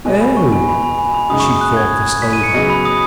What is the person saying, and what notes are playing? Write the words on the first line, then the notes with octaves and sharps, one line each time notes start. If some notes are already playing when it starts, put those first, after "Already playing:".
"Oh!" She thought this over.
B2 G#3 B3 F#4 D#5 G#5
B5
C#6
G#5
B5
B5
G#5
B5
F#2 C#3 G#3 D#4 D#6
C#6
D#6
F#6
G#6
B6
D#7
C#7
C#3 F#3 B3 G#4 D#5
B5
D#6